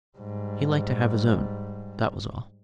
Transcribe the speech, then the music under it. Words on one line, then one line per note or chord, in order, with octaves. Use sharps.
He liked to have his own,--that was all.
G#2 G3